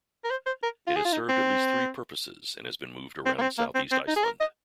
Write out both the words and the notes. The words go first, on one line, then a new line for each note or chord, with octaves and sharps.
It has served at least three purposes and has been moved around southeast Iceland.
A#4
C5
C5
A#4
F4
G#4
F4
D#4
C4
C4
A#3
C4
A#3
C4
C4
D#4
G#4
A#4
D#5